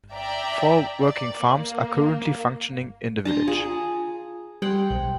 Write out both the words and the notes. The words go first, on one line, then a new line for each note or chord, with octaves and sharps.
Four working farms are currently functioning in the village.
D5 E5 G5 A#5
D5
A#3
D4 A5 A#5 C6
F4 G#4
G3 F#5 G5 C6
B1